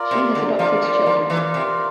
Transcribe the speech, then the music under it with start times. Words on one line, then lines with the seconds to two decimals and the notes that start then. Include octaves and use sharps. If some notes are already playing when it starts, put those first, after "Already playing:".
She has adopted children.
Already playing: F4 A#4 D5
0.11 C3
0.35 D3
0.58 F3 F4 A#4 D5
0.83 G3
1.06 F3
1.30 E3 F4 A#4 D5
1.54 C3